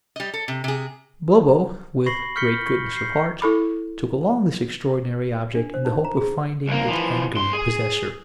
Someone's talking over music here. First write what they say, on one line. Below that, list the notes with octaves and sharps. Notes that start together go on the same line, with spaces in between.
Bobo, with great goodness of heart, took along this extraordinary object, in the hope of finding its angry possessor.
G3 D#5
A4
C3
C3 G#4
B5 C#6 A#6 C7 F#7
C#6 F6 G6 B6 C#7 G7
C#6
G6 C7
E4 A4 B5 D6
D4
C5
D#4
A#5
G#4
C2 A#3
E3 F3
C2 C6
G#4